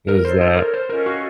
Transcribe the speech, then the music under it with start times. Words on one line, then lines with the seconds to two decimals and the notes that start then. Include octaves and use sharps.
it was that.
0.09 A#4
0.25 D#4 A4 C5 C#5
0.41 C5
0.57 A#4
0.74 C5
0.89 C#4 F4 A4 A#4 D#5
1.06 F#4